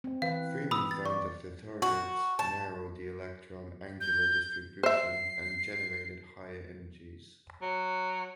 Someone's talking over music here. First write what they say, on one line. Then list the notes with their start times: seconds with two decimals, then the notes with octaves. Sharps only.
Freeman found that the targets narrowed the electron angular distribution and generated higher energies.
0.04 C4
0.22 E3 B4 F5
0.71 B5 D#6 E6
0.91 A6
1.06 D5 C#6
1.82 F#4
2.39 A5
4.01 G6
4.83 C5 E5 C7
7.62 F#3